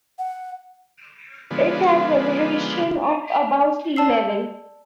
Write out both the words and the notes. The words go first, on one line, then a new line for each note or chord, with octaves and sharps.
It has elevation of above sea level.
F#5
D3 F3 G#3 B3
D5 A5 E6 C7